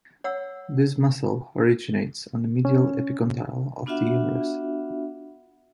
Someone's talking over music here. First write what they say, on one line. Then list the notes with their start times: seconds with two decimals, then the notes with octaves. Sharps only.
This muscle originates on the medial epicondyle of the humerus.
0.24 C#5 F#5 E6
2.65 C#4
3.86 B3 D4 F4 F#4 E5 F#5